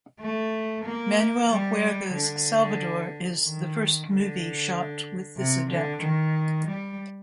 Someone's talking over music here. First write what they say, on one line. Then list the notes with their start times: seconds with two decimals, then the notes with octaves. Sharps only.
Manuel Huerga's "Salvador" is the first movie shot with this adaptor.
0.20 A3
0.85 A#3
1.50 G3
2.14 D3
3.44 D#3
4.08 D3
5.37 C3
5.70 D3
6.02 D#3
6.67 G3